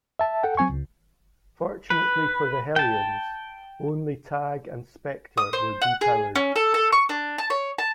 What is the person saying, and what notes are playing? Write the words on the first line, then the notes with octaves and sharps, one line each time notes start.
Fortunately for the Hellions, only Tag and Specter were depowered.
E5 A5
A4 F#5 G5
F#3 C4 G#5 C#6
C#2
B4
G5 A5
D#6
C5
F#5
G#4
C#4
A4
A4
C#6
D4
A5
C#5
A5